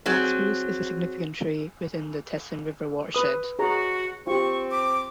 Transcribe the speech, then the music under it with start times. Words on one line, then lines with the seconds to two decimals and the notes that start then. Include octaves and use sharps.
Black Spruce is a significant tree within the Teslin River watershed.
0.06 F#3 C4 G#4
3.15 B4 D#6
3.59 F#4 G#4 C#5 A#5
4.27 C4 F4 G4 C#6
4.71 D6